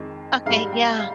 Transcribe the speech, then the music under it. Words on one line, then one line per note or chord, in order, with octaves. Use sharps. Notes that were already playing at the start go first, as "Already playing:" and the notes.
Okay, yeah.
Already playing: F2 D#3 G#3
G#2 G3 F5
G5
F5